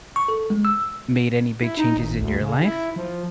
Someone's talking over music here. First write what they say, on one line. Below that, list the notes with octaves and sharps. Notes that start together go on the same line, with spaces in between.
made any big changes in your life
C#6
A4
G#3
E6
E4
D#4
G#1
D2
C#3
E4
F3